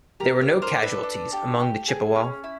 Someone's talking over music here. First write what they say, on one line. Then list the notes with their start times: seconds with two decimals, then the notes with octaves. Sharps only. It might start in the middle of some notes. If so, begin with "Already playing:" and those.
There were no casualties among the Chippewa.
0.20 G4 A#4
0.41 A#4
0.48 D4
0.62 A#4 C5
0.76 D4
0.82 A4 B4
1.03 D4
1.33 G4
1.60 G4
1.88 G#4
2.16 C#4
2.44 E4